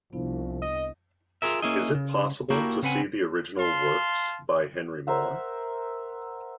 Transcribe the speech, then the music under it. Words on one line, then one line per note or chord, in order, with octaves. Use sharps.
Is it possible to see the original works by Henry Moore?
C2 F3 B3 D4 E4
D#5
F4 F#4 G#4 A#4 E5
A#3 C#4 E4 G#4 D#5
C#3
A#3 D4 E4 F#4 G4 A#4
C#3 C4 B4 F#5 G#5
F5 A5 C6
A#4 C5 E5 F#5